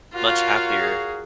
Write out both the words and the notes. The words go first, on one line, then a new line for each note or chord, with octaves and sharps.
much happier.
F4 F#4 A#4 C#5 F5
G#4